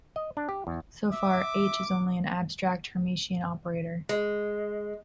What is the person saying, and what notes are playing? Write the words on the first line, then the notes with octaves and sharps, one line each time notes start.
So far, H is only an abstract Hermitian operator.
D#5
D4
G4
E2
E5 D6
G#3